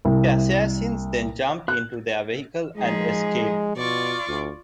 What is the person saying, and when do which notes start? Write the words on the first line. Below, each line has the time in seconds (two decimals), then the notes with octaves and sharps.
The assassins then jumped into their vehicle and escaped.
0.05 C2
1.68 F#6
2.77 F3 G#3 D#4 G#4
3.76 B2 F4 D5 C#6
4.28 D2